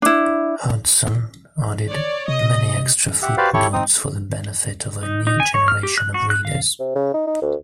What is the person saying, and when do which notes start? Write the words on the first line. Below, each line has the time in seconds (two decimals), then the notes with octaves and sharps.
Hudson added many extra footnotes for the benefit of a new generation of readers.
0.02 D4 E4
1.89 C#5 D5
2.28 C3 D#5
3.22 G4 E5 F#5
3.37 F#4 G4 B4 C5 D5 F5
3.54 E4 G4 A4 C#5 C#6
3.73 C4 D#4 D#6
5.03 D#4
5.27 D#4
5.40 G#5
5.54 C#5
5.68 F6
5.83 G4
5.98 F#6
6.14 F#4
6.30 F#6
6.45 F5
6.80 C3
6.95 C#3
7.14 D#4
7.27 D#4
7.42 D2